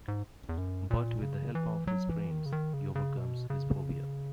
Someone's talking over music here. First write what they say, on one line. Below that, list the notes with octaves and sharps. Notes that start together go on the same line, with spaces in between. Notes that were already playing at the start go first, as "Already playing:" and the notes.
But with the help of his friends, he overcomes his phobia.
G#2
E2
F#2
A#2
C#3
E3
F#3
E3
D#3
C#3
D#3
C#3
C#3
B2
C#3